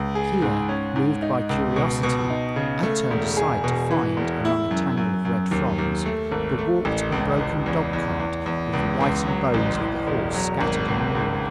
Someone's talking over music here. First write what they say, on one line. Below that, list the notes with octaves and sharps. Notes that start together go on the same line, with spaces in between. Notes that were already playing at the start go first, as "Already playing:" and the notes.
Here, moved by curiosity, I turned aside to find, among a tangle of red fronds, the warped and broken dog cart with the whitened bones of the horse scattered and gnawed.
Already playing: C#2
G#4
G#2
C#4
G#2
D#4
C#2
B2
B2
D#4
C#3
A3
E1
G#4
B2
E3
E1
E4
F#2
F#2
F#2
D#2
D#2
A3
G#1
A3
A1
C#2
C#2
E2
E2
E2
E2
C#2
C#2
F#3
A1
E3
E1
F#3
G#1
C#2
C#2